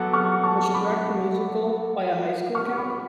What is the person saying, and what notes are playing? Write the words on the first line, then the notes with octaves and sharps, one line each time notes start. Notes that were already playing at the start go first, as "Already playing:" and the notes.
Was Shrek the musical, by a high school, count?
Already playing: F#3 B3 F#4 A4 D6 F#6
C#6 F6
A5 C#6
B5 D6
C#6 F6
B5 D6